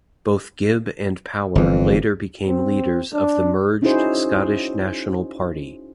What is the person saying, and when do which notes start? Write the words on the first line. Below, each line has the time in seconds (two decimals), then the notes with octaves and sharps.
Both Gibb and Power later became leaders of the merged Scottish National Party.
1.55 G1 F2 E3
2.48 C4
3.13 D4
3.82 C#4 D#4 E4 F#4 G#4 C5